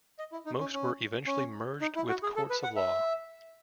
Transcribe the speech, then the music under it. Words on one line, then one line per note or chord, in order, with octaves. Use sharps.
Most were eventually "merged with courts of law".
D#5
E4
D#4
C#4
C#4
C#4
D#4
E4
F#4
G#4
A4
B4
F#5
E5